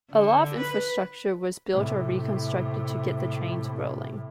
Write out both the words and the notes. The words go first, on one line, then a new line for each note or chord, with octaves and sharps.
A lot of infrastructure was built or reconstructed to get the trains rolling.
D3
B4
A2 C3